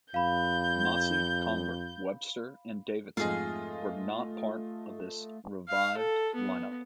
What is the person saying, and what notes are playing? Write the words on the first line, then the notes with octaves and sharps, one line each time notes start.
Masi, Conger, Webster and Davidson were not part of this revived line-up.
F2 F5 B5 G6
F2 G#2 A3 F4 G#4 D#5 F5
F5
A4
B3